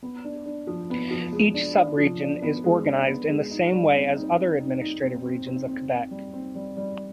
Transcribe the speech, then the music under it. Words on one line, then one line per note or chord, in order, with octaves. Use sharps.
Each sub-region is organized in the same way as other administrative regions of Quebec.
B3
D4
D4
F3
B3
F3
G#3
D4
D4
F3
D4
B3
G#3
D4
B3
G#3
D#4
G3
C4
D#4
C4
D#4
D#4
C4
C4
C4
C4
C4
G3
C4
G3
G3